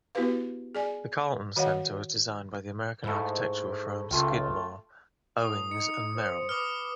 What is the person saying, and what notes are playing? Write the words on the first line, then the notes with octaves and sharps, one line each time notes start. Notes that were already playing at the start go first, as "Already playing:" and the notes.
The Carlton Centre was designed by the American architectural firm Skidmore, Owings and Merrill.
B3 E4 F#4 G4 B4 F5
G#4 D5 G#5
D#3 F#4 C#5 D#5 F5 F#5
G#2 A3 E4
C#2 A3 F4 G5
A2 D#6
D#4 C#7
C5
B4 D6 D#6 F6